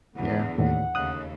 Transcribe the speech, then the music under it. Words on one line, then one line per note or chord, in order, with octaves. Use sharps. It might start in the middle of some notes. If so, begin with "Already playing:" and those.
Yeah, it
E2 D3 F#5
D#2 A2 F#5
D#2 C#3 A3 D#6 F#6